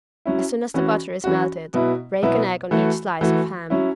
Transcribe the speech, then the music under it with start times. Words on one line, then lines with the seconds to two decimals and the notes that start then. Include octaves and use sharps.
As soon as the butter is melted break an egg on each slice of ham.
0.25 F#3 C#4 E4
0.74 E3 C#4 F#4
1.24 E3 C#4 F#4
1.74 B2 F#3 B3 E4
2.23 B2 F#3 B3 E4
2.71 E3 A3 F#4
3.21 E3 A3 F#4
3.70 F#3 C#4 E4